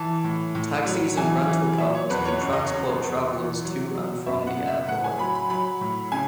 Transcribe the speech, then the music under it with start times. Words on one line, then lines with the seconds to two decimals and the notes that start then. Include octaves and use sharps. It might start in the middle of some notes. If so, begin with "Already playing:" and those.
Taxis and rental cars can transport travelers to and from the airport.
Already playing: E3 A5
0.24 A2
0.55 A2
0.86 F#3
1.17 E3 G#5
1.48 E3
1.78 F#3 E5
1.94 C#5
2.10 E2 B4
2.25 C#5
2.41 F#2 C#5
2.52 D#5
2.65 C#5
2.72 F#2
3.02 E2
3.33 E3
3.64 F#3
3.95 F#3
4.26 F#2 E5
4.47 F#5
4.57 C#3
4.68 E5
4.88 A2 F#5
5.04 G#5
5.19 F#3 B5
5.35 B5
5.50 F#3 B5
5.81 A2
6.12 C#3 G#5